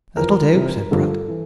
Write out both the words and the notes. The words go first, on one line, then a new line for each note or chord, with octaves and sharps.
"That'll do," said Pratt.
F2 E3 A#4
F2 C3 E3
G2 D3 F3 A4
E3